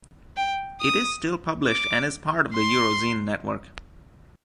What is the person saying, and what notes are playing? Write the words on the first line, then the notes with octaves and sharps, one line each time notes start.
It is still published, and is part of the Eurozine network.
G5
D#6
D6
C6